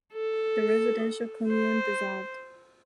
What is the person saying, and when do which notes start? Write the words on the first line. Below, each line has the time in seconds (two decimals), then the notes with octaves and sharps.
The residential commune dissolved.
0.13 A4
1.49 C5